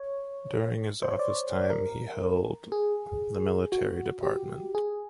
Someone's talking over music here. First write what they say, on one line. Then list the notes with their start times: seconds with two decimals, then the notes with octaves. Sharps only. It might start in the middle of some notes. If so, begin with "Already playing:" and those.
During his office time he held the Military Department.
Already playing: C#5
1.03 C5
1.11 C#5
1.19 D5
1.70 A#4
2.72 G#4
3.72 F#4
4.23 G4
4.75 G#4